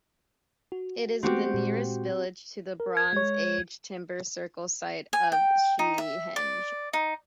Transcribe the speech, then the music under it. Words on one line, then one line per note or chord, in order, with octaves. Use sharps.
It is the nearest village to the Bronze Age timber circle site of Seahenge.
F#4
G#3 A3 B3 C4 F#4 G4
A#2 G#3
A#4
G#6
G#3 C#5
G#5
G5
D#4
E5
D5
D#4